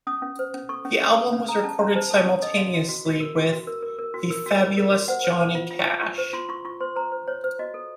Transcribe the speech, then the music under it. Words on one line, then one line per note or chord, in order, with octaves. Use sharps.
The album was recorded simultaneously with "The Fabulous Johnny Cash".
C#4 D#6
C#4
C5
C#4
A4 C#6
C#4
C#4
A4
C#4
A4 A#5
C#4 A5
C#4 A#5
C5 A5
A4 A5
C#4
A4 D#5
F#4 F5
F#4
F#4
F#4
A#4
F#4
F#4
A#4
A#4
A#4
F#4
A#4
F#4
C#5
A#4
F#4
C5 F#5
C5
C5
F4
F4
F4
F4 C#6
C5
F4 C6
F4 C#6
F4 C#6
C5 C6
C5 A#5
C5
C5 C#5
C5
F#4 D#5
A4